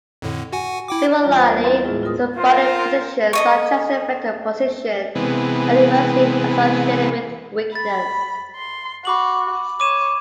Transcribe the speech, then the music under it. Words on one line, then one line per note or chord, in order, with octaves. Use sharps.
Similarly, some body positions, such as the fetal position, are universally associated with weakness.
F2 A2 D3
F#4 F#5 G#5
E4 G5 D6
D#2 E3 G3 F4 D5 A#5
B4 C5 A5
B3 D#5
E4 E5 G5 C6 A6
A2 G#3 E4 F4 G#4
F4 G#4 A#4 D#6
F4 A#4 C5
A4 D#5 C#6
C3 E3 G#3 B3
B5 A6
C6
F#4 B5 D6 F#7
C#5 D6 D#7 E7